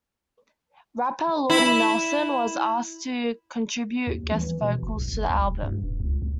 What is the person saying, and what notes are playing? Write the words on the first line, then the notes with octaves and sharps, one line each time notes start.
Rapper Lord Nelson was asked to contribute guest vocals to the album.
E4
D#2
E3
B2
F#1
B1
G1
C#2
D#1
G2
D#1
C#2
D2